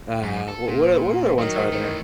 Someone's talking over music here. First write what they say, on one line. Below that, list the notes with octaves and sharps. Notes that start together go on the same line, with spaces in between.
uh, w what o what other ones are there?
F#2
A4
A#2
D#3 F#3
E3 A3